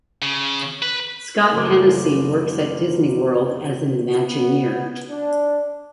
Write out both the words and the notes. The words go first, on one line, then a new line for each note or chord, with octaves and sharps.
Scott Hennesy works at Disney World as an imagineer.
C#3
B4
F#1 F#3 A3 A#4 D6
B3
D4